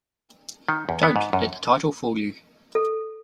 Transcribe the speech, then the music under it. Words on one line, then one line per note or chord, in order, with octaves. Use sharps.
Don't let the title fool you.
D#3
E2
B3
G#2
F#2
A4